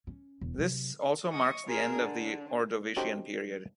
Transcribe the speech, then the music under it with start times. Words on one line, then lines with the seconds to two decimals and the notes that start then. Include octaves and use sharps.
This also marks the end of the Ordovician period.
0.07 C#4
0.41 E1
0.58 C3 F#3
1.30 D#5 C#6 D#6
1.65 F4 G#4 A#4
1.95 D3
2.96 C#4 D#4 F#4 G4 A4 C5